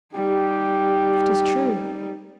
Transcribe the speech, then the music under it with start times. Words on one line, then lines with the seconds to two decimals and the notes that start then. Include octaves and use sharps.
"That is true."
0.14 G3 D#4 G4